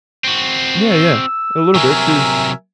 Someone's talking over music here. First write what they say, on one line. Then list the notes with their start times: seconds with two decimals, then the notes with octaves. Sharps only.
Yeah, yeah. A little bit too.
0.24 C4 F#4
0.91 E6
1.75 C3 F#3 A#4 E5 G#5